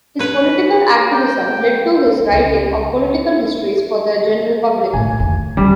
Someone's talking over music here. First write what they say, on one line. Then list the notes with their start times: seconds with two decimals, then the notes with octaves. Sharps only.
His political activism led to his writing of political histories for the general public.
0.19 B4 C#5
1.13 G5
2.32 C#2
4.94 A2 G#5
5.19 F2 D#3
5.57 E2 G3